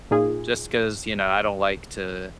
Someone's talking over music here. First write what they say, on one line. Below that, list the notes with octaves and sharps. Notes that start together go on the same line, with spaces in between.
just 'cause, you know, I don't like to
A#2 D#4 F4 G#4